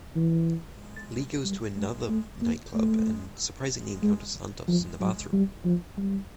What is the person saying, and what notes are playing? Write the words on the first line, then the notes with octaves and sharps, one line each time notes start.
Lee goes to another nightclub and surprisingly encounters Santos in the bathroom.
E3
G3
G#3
A3
A#3
A3
G#3
F3
F#3
G3
F3
G3